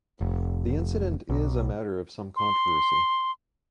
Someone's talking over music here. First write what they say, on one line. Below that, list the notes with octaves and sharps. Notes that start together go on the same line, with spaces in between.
The incident is a matter of some controversy.
F1
B1
C6